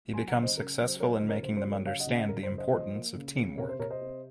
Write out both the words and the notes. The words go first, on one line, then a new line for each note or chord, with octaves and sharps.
He becomes successful in making them understand the importance of teamwork.
F#3 G#5 C6
F#5 A#5
C#3
C5 D#5
C#3 A#4
F#3
C5
F#3 A#4 C#5
C5 D#5
C#3
A#4 C#5
C#3 C5
C5
F#3
A#4 C#5
C#3 C#5 F5
D#5 F#5
C#3
D#5 F#5
F#2 A#4
C5
C#3
C5 D#5
F3 C5 D#5
A#3
C#3
C#3
C3 A#4 C#5
C5
C3 A#4 C#5
C5 D#5
C4